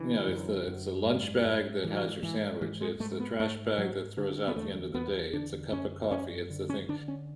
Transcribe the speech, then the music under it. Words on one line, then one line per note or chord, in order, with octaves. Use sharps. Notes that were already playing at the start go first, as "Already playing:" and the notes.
You know, it's the, it's a lunch bag that has your sandwich, it's the trash bag that throws out at the end of the day, it's a cup of coffee, it's the thing,
Already playing: D3 E3
F#2
F#2
G#2
G#2
G#2 E3
F#3
E3
G#2 E3
G#2 E3
G#3
G#2 A3
B3
G#2 A3
G#2 F#3
D3
B3
E2 A3
E2 B3
D3 D4
F#2 C#4
F#2 C#4
D3
C#4
D3 D4
C#4